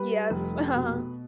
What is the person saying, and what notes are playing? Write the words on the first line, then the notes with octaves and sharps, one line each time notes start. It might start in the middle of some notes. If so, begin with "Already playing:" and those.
Yes. Uh-huh. Sa
Already playing: G3 B4 B5
F1
B2